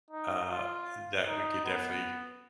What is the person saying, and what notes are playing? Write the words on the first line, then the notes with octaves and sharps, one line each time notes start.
uh, that we could definitely
D#4
F4
D#4
B3